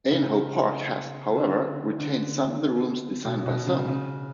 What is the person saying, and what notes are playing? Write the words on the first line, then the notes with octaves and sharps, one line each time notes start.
Aynhoe Park has, however, retained the rooms designed by Soane.
C#3
D3
D3
B2
B2
C#3
C#3